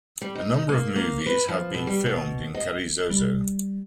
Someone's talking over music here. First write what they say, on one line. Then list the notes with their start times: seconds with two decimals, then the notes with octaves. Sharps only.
A number of movies have been filmed in Carrizozo.
0.21 G3
0.35 D#4
0.54 D#4
0.69 A#3
0.96 A#3
1.26 B4
1.49 F3
1.74 B2
1.87 G3
2.06 B2
2.55 D#5
3.10 G3